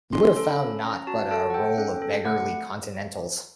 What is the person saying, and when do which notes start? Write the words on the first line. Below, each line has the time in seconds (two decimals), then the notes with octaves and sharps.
You would have found naught but a roll of beggarly continentals.
0.13 C#4 C6
0.37 A4
0.48 B5
0.60 C#4
0.83 C#4 A#5
1.07 F#4 A5
1.31 A4 A5
1.50 F#5
1.54 A4 G5
1.78 C#4
1.90 G5
2.02 A4
2.25 A3 F#5